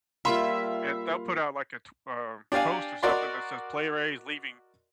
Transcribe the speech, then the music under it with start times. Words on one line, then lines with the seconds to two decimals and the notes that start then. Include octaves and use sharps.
and they'll put out, like, a, tw um, post or something that says "Player A is leaving”
0.25 G3 A#3 F4 E5 F5 B5 C6
2.52 D4 G4 D5 F5 G#5
3.03 F#4 A#4 D5 D#5 C6